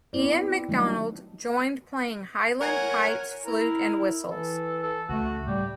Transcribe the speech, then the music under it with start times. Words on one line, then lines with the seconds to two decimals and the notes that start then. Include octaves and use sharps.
Iain MacDonald joined playing highland pipes, flute, and whistles.
0.13 B3 C4 E4 D5
0.69 D#3 F#3 G3 A3 D4 D#4
2.61 A#4 C#5 F#5 G#5
3.45 E4 A#4
4.31 E3 A4
4.83 A4
5.09 C#2 A3 F#4
5.47 A2 G3 G4